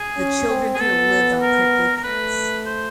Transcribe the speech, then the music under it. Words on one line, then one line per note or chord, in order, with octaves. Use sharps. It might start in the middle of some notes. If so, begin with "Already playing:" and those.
The children could have lived on prickly pears!
Already playing: G#4
C#4
C4
G#4
B3 A4
A#4
A#4
A3 B4
C5